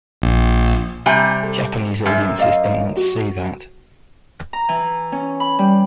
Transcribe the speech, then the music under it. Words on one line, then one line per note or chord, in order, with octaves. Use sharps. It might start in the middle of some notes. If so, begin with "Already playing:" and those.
Japanese audiences don't want to see that.
A#1
C3 G3 G#5 A#5
A4
F#2 G5
D5 D#5 F5
F#4
A#5
E3
C#4
B5
G3